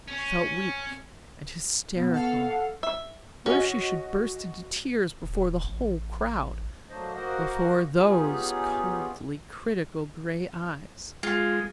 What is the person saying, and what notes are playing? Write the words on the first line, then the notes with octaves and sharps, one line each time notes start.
She felt weak and hysterical. What if she should burst into tears before the whole crowd--before those coldly critical grey eyes?
C#4
B2 B3
A4 F5 F#5
E5
C#4 F#4 D#5
D#1
A1
F#3 A3 A#3 D4 C5 D#5
A#3 F#4 A#4 C5 D#5 F#5
B3 C#4 D#4 F4 G4 G#4
G#3 F4